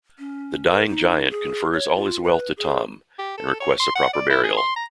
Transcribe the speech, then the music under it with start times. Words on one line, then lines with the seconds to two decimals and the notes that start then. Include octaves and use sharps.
The dying giant confers all his wealth to Tom and requests a proper burial.
0.19 C#4
0.69 A#4
0.87 D#4
1.31 G#4
1.73 C#5
1.96 F4
2.24 B4
2.57 G#4
3.19 G4
3.37 A4
3.60 C#5
3.80 C6
3.95 F#5
4.13 D5
4.30 E4
4.43 G#4
4.57 C6
4.76 A#5